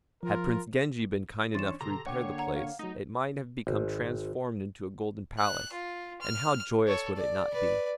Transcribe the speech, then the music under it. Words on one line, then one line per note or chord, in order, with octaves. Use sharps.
Had Prince Genji been kind enough to repair the place, it might have become transformed into a golden palace, and how joyous would it not be?
F3 F4 A#4
E3 C#4 D4 C#5 C6 A6 E7
B2 D3 G4 A4 A#5 C6
D3 A#3 C#5 F#5 G5 D6
F#5 A#5
F5
F#3 A3 D#4
G#1
F#6
F4
F6
A4 C#5
D5
B4 D5